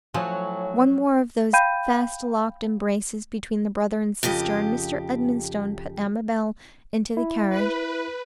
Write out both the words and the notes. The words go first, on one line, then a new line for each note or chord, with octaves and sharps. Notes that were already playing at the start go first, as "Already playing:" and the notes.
One more of those fast-locked embraces between the brother and sister, and Mr. Edmonstone put Amabel into the carriage.
A2 F3 F#3 C#5 G#5
F5 G5 B5 G6 D#7
F2 C#3 G4 D#5
E4
B4